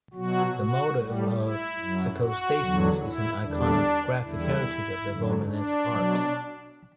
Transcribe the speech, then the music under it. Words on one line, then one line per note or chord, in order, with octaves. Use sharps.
This motif of psicostasis is an iconographic heritage of the Romanesque art.
B2 F#3 F#4
F#4
A2 G3
E4
F#2
F#3
F#4
E2 D3 F#3
E4
E2 D3 G3 D4
E2 D3 G3 E4
F#2 D3 F#3
D4
B2 F#3